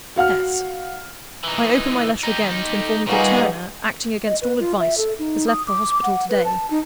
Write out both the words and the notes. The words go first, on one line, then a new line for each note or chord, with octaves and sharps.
S.--I open my letter again, to inform you that Turner, acting against all advice, has left the hospital to-day.
F#4 F5 F#5 F6
E3 D#4
D#4 G4
A4
A#2 G3 D#4 F#4 G#4 B4 F5 F#5
D#5
B4
F4
E5
A4
D#4
D#6
D6
F#5
B4
A5
D#4